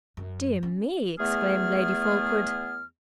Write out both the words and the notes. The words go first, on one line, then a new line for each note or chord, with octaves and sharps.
"Dear me!" exclaimed Lady Fulkeward.
F#2
C#4
E2 A3 B3 G#4 F6